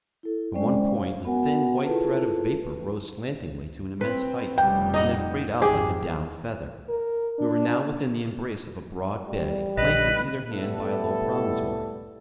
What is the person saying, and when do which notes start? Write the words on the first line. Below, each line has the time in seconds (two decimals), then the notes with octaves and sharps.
From one point a thin white thread of vapour rose slantingly to an immense height, and then frayed out like a down feather. We were now within the embrace of a broad bay flanked on either hand by a low promontory.
0.23 E4 A4
0.54 G#3 C#4 C5 D5 G5
0.90 F5
1.25 B3 F#4 A#4 F#5 G#5
1.84 E4 F4 G#4 A4 B4 A5
4.01 C4 B4
4.58 F1 C#3 G3 G5
4.94 D#4 D#5 F#5
5.62 G#1 F2 G4 G#4
6.89 A#4
7.39 D4
9.27 G3
9.77 A#1 D3 B4 D#5
10.50 A2 G3 B3 E4 A4